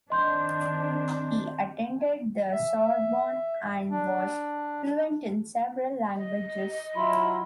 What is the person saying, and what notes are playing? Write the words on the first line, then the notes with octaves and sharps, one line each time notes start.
He attended the Sorbonne and was fluent in several languages.
D#3 C4 D4 D#5 C6 G6
E5
D4
D#5
F#3 E4 F4 B5